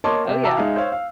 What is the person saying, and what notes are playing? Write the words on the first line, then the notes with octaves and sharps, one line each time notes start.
Oh, yeah.
A#3 C#5 D#5 A5 C6 D6
C3
F#4 E5 A5 A#5 D6 E6
G#3 D#4 E5 F5
C5 C#5 F5
F5